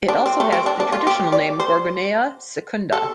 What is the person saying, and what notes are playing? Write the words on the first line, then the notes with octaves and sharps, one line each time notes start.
It also has the traditional name Gorgonea Secunda.
D4
C4
A3
C4
D4
D4
F4
G4
D5
C5
A4